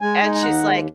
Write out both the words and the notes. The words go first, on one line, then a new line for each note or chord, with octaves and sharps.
And she's like
G#3 G#5
D#4
G#5
D#2 F#5
G#3